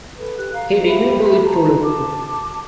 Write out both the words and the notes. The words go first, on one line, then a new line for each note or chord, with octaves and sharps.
He didn't do it to look cool.
A4 B4
G4 F#6
F5 A#5
G4 E5 B5
F#4 A5 A#5
A5 D6